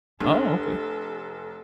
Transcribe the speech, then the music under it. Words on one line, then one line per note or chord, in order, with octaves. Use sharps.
Oh, okay.
F1 D4 A4